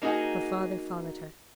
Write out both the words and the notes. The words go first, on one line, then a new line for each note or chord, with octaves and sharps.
Her father followed her.
A#3 D#4 F#4 G#4